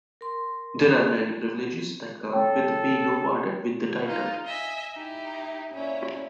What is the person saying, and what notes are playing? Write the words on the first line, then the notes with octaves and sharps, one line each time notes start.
There are many privileges that come with being awarded with the title.
A#4 C6
A4 C#5 G5
D#4 F4
D#5 E5 G#5
D#4 E4 G4
A#2 C#4 E4